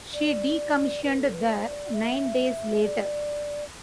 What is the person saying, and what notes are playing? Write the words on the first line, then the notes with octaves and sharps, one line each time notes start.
She decommissioned there nine days later.
D5
B4
A4
B4
D5
C5
D5
E5
D5